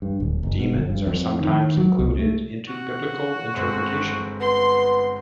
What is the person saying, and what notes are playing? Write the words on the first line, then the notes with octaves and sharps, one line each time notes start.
Demons are sometimes included into biblical interpretation.
G2
D1
F#1
B2
G1
G2
F2
D#3
F#3
C2
A3
F#4
G1 G#3 C4
B3 C6